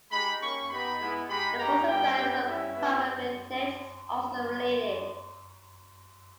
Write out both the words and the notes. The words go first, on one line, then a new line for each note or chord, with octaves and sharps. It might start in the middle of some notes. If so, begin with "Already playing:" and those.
The fossil genus "Parapedetes" is also related.
G#3 D#4 G4 B5
A#3 C#4 G4 C#6
B3 D#4 G4 B5
G#3 B3 E4
G#3 D#4 G4 B5
A#3 D#4 G4 A#5
G3 B3 G4 G5
B3 D#4 G4
G3 C#4 E4 G4 E5
B3 E4 G4